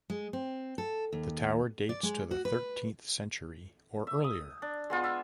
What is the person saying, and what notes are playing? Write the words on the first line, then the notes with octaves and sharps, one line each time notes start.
The tower dates to the thirteenth century or earlier.
G#3
C4
A4
D#2
D5
G#3
F#4
B4
E5
D#6
D4
G#3 B3 F4
E5